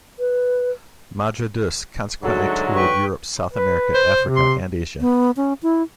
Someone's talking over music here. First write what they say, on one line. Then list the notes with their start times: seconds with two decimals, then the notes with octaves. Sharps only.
Madredeus consequently toured Europe, South America, Africa and Asia.
0.19 B4
2.23 D2 G#2 F#3 F#4 A4
2.74 B4 G5 C#6
3.53 B4
3.94 C5
4.21 C3
4.36 C6
5.01 B3
5.37 C#4
5.63 E4